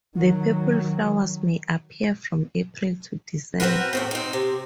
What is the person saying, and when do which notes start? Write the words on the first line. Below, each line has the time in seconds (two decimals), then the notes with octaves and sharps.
The purple flowers may appear from April to December.
0.16 D#3 F#3
3.60 C4 D4 F#4 A#4 B4
3.93 E2 A2 C4
4.11 C4 D#4
4.33 C3